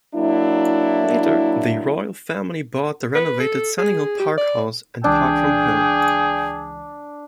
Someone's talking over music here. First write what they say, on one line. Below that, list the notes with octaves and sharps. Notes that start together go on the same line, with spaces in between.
Later the Royal Family bought the renovated Sunninghill Park house and park from Hill.
F#3 A#3 D4 E4
B4
A4
G#4
G4
D5
C#2 E3 D4 G#4 D5 G5